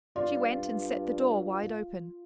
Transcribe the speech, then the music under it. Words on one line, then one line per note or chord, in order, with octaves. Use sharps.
She went and set the door wide open.
G2 F4 D5